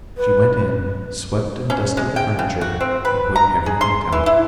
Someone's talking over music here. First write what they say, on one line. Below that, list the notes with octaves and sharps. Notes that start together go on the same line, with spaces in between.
She went in, swept and dusted the furniture, and put everything tidy.
B4
C#4
G#3
G5
C#3
F#4
C4
B4
A#5
G#4
C6
E3
E4